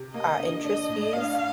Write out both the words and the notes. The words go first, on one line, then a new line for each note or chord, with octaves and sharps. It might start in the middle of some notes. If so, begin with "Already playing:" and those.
uh, interest fees,
Already playing: C3
A#3 D#5
D3
D4 D#5
A2
D4 F5